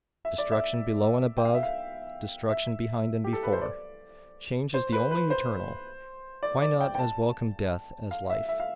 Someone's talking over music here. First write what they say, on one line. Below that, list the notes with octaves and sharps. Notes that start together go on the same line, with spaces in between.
Destruction below and above, destruction behind and before. Change is the only Eternal,--why not as welcome Death as Life?
E5
D5
E5
G5
F5
E5
F5
E5
G4
A4
B4
C5
D5
C5
B4
B4
C5
D5
D5
G5
G5
A5
F5
E5
E5
F5